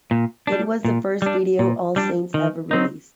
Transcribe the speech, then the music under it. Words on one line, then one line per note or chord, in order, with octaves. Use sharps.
It was the first video All Saints ever released.
A#2
G3 D4
A#2
G3 D4
A#2
G3 D4
D#3
F#3 C4 D#4